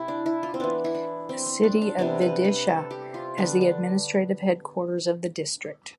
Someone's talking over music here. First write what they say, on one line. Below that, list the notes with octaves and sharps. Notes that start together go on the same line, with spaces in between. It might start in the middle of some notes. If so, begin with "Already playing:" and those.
The city of Vidisha as the administrative headquarters of the district.
Already playing: C3 E4 G4
D4
E4
F4
C4
E3 B3 D4
E4
D4
C4
C4
D4
D4
C3 G3 B3 D4
B4
B4
A4
G4
F4
D3 G3 B3 D4
D4